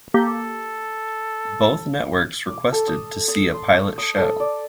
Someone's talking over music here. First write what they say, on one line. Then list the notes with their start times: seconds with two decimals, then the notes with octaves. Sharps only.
Both networks requested to see a pilot show.
0.14 A#3 G4 A4
2.49 D6
2.72 A4
2.88 D#6
3.28 D#6
3.54 C6
3.74 C#6
3.98 D#6
4.18 A4
4.40 D5